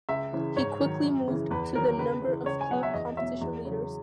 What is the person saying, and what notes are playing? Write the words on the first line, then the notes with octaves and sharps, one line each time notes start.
He quickly moved to the number of club competition leaders.
C#2 E5
C#3 E3
G#2 C#5
D#3 F#3
F#2
C#3 E3
E2 B4
D#3 F#3 A#4
C#2 B4
C#3 E3
C#2 C#5
G#5
B2 F#3 F#5
E5
E2 D#5
B2 F#3 E5
E2
C#3 F#3